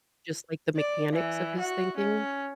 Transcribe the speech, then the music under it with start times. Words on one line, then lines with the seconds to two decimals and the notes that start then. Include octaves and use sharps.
just like the mechanics of his thinking
0.77 D5
1.13 E3
1.59 F#4
1.97 C#4